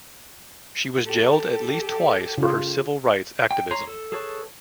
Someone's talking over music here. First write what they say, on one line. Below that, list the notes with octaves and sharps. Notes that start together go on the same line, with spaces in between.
She was jailed at least twice for her civil rights activism.
G4 A4
C#3 F4
G5
C#5 A#5 C6
A4
G#4 A4 B4 C#5 A5